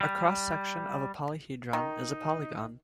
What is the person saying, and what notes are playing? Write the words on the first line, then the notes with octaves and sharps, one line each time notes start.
A cross section of a polyhedron is a polygon.
G3
D#3 D#4